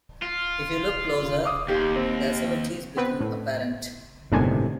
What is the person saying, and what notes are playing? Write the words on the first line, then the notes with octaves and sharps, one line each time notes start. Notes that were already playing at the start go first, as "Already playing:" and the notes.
If you look closer the asymmetries become apparent.
F4
F5 D6 D#6
D#2 G4
C4
B3 C4 B4
A2
G1 A2 C3 D#3 G#3 B3 D4 G#5